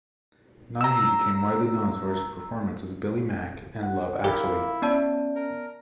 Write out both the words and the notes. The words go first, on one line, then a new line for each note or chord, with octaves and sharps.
Nighy became widely known for his performance as Billy Mack in "Love Actually".
A#5 E6
F#5
E4 G4 A#4 F5 D6
B3 C#4 D5 A5
A#4